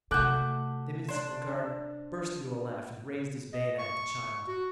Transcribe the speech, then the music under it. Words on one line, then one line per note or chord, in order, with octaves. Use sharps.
The municipal guard burst into a laugh and raised his bayonet at the child.
C3 A3 F#4 D6 F#6 G6
D4 C5
D#5
C#6
F#4